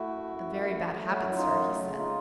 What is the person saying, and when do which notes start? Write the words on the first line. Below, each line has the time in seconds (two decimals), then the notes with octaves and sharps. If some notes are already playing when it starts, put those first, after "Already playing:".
"A very bad habit, sir," he said.
Already playing: A3 E4 F#4
0.08 F#2
0.24 F#2
0.40 F#2
0.56 A3
0.71 A3
0.88 A3
1.03 F#3
1.19 F#2
1.29 E4
1.35 F#2 D#4 F4
1.51 F#3
1.67 A3
1.82 C#3
1.98 G#3 D#4 F4